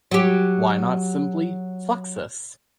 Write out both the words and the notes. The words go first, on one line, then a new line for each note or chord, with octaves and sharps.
Why not simply "Fluxus"?
F#3 G4